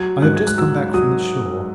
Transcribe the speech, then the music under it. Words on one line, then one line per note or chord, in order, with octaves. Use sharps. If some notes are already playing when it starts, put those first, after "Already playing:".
I have just come back from the shore.
Already playing: F#3 G#6
G#2 F#6
G#6
F#6
F#3 E6
F#3 D#6